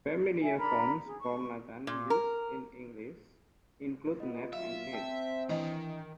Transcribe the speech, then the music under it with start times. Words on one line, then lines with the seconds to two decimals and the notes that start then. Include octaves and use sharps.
Familiar forms of Nathan used in English include Nat and Nate.
0.42 E5 G#5
0.58 D4 A#4 A#5 B5
1.06 G#4
1.20 C#6
1.87 A#2
2.10 A#4
4.20 B3 F4 D#5
4.53 F#3 F4 E5 F5
4.93 C4 G5 A5 E6
5.49 D#3 E3 D4 D#5 G5